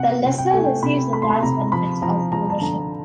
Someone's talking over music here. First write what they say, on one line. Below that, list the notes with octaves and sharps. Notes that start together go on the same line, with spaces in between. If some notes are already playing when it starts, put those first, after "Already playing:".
The lessor receives the tax benefits of ownership.
Already playing: C3 F#5
C3
G5
A3 G#5
G5
C3 B5
A3 B5
C6
B5
C3 A#5
A#5
F3 B5
F3 A#5
F3 A#5
A5
D3 A#5